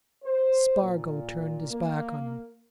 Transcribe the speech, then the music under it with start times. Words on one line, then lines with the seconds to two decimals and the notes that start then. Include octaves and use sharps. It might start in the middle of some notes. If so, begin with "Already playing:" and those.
Spargo turned his back on him.
0.24 C5
0.81 A#2
1.71 A#3